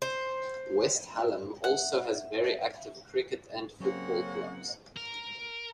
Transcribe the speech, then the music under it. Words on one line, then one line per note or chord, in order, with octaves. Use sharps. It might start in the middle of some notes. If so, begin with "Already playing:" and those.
West Hallam also has very active Cricket and Football Clubs.
C5
E5 F#5
C#3 F#3 A#3 C4 C#4 F#5
A#4